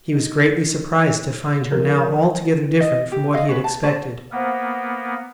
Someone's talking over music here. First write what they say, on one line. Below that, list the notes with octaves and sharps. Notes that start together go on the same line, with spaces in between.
He was greatly surprised to find her now altogether different from what he had expected.
D#4
D#3 F3 A#4
D#5
G4
D#5 F5
C#4 F#4 B4
A5
C#4 C5 D5 A5
A#3 B3 C5 F#5 F6